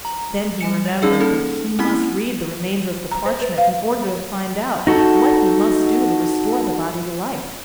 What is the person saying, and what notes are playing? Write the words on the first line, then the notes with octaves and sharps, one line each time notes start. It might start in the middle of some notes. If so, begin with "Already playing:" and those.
Then he remembered that he must read the remainder of the parchment in order to find out what he must do to restore the body to life.
A#5
G3 G#5 C#7
C#5
G3 C#4 D#4 G#4 D5 F5
A#3 C#4 D#4 A4
A#3 C4 C#4 E4 B5 B6
A#5
C5
B4
F5
D#4 F#4 A4